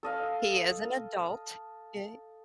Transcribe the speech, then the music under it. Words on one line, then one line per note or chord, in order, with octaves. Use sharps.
He is an adult, ye
A4 D#5 F5